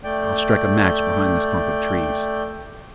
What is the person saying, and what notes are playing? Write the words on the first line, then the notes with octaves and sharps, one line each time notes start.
I'll strike a match behind this clump of trees.
A3 D5 G5